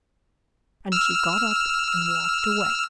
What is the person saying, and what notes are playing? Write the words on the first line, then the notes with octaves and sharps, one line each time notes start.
And she got up, and walked away.
E6 F6